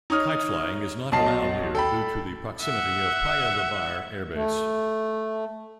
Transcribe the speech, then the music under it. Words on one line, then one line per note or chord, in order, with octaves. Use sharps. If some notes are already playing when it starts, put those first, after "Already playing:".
Kite flying is not allowed here due to the proximity of Paya Lebar Airbase.
D#4 C#5 D#6 F6
B1 F#3 D#5 A5 C7
A4 G5 B5
E5 F#5
A3